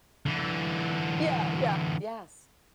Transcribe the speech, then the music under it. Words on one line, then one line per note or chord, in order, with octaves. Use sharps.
Yeah, yeah, yes.
D3 E3